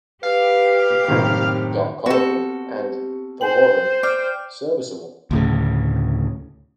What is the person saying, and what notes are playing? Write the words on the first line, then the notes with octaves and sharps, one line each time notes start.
He called "Dark Carnival" and "The Warren" "serviceable".
G4 B4 F5
F#1 A2 D#3 C4
B3 C4 F#4 G4 A4
C5 G5 G#5 F#7
D5 G5 D6 F6
D2 A2 C#3